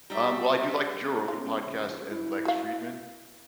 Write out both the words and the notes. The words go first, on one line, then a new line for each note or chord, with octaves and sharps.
Um, well, I do like the Joe Rogan podcast and Lex Friedman.
G3 D#4 E5
G#3 B3 C#4 F4
A#1 C#3
E4
F#4 F5